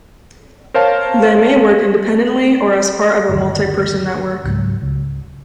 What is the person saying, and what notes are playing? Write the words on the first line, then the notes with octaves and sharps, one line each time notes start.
They may work independently, or as part of a multi-person network.
A#4 C5 C#5 F5 A5
G1 D#2
C#2 G#2 F#3
C#2